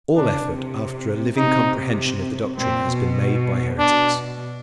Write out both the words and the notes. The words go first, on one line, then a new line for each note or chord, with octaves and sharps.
All effort after a living comprehension of the doctrine has been made by heretics.
C#3 D4
C3
C3 D#4
A#2 C4
B2
B2 D4